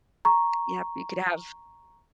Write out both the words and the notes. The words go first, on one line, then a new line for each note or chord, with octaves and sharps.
yep, you could have
A#5 C#6